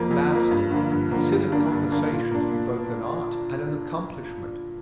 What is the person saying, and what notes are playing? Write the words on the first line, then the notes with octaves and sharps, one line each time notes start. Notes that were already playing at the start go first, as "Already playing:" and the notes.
Gladstone considered conversation to be both an art and an accomplishment.
Already playing: F2 F3 A#3
F2
F3 A#3
G2
D3 F3 A#3
G2
D3 F3 A#3
G2
D3 A#3 D4
G2
D3 A#3 D4
A#2
A#3 D4
A#2